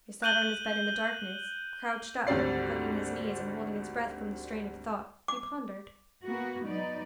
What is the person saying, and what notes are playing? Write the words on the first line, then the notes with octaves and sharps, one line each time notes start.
He sat on his bed in the darkness, crouched up, hugging his knees, and holding his breath from the strain of thought, he pondered.
F#6 G6 D#7 F#7 G7
G#1 D2 G3 C4 D5 C7
D6
A#3 B3 F#4
F#3 B3 D#4 D5